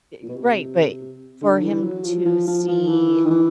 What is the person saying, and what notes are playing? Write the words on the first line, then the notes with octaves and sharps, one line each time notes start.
Yeah, e right, but for him to see,
A#2
B2
C3
D3
E3
F#3
F3
F3
F3
F3
E3
D#3
E3